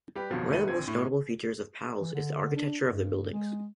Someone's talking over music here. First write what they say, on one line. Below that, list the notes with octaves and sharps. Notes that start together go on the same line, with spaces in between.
One of the notable features of Pal's is the architecture of the buildings.
G3 G4 B4
G#1 F2 B2 F3 F#3
F1 D#3 A3 B4 D#7
A#1 C4 G#6
A2
E3
D3
D4
G2
G#3